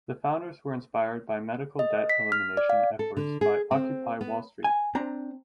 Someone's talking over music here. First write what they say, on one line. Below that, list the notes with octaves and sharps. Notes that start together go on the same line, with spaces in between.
The founders were inspired by medical debt elimination efforts by Occupy Wall Street.
D#5
B6
F6
D5
F5
A4
D3
G#4
C4
B3
G#5
C4 D4 A#5